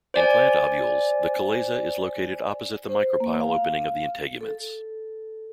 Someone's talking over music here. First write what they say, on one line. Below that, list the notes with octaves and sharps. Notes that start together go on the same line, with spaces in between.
In plant ovules, the chalaza is located opposite the micropyle opening of the integuments.
C5 D5 G#5
C5
A#3
F5
A4